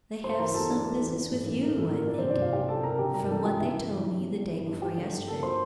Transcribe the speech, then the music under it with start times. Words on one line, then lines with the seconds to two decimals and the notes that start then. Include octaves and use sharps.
They have some business with you, I think, from what they told me the day before yesterday.
0.24 A3 C5 C6
0.39 E3 A#4 A#5
0.54 E2 A4 A5
0.69 D4 D5
0.85 A3
1.00 E3
1.16 E3
1.31 A2
1.46 A1
1.61 A3 A#3 A#4
1.76 E3 A4
1.92 A2 A#3 A#4
2.07 F3 D4 D5
2.18 C3 C4 C5
2.30 D4 D5
2.37 C2 F4 F5
2.53 C4 G4 G5
2.63 G5
2.68 F3 A4 A5
2.83 C3 A#4 A#5
2.99 D3 G4 G5
3.14 G2 A#4 A#5
3.29 A1 A4 A5
3.45 F3 G4 G5
3.59 D3 E4 E5
3.75 G2
3.91 E3
4.06 G2
4.21 G1
4.36 G3
4.51 E3
4.67 G2
4.82 F3 G4 G5
4.97 D3
5.13 G2
5.28 A#3 A4 A5
5.43 F3 C5 C6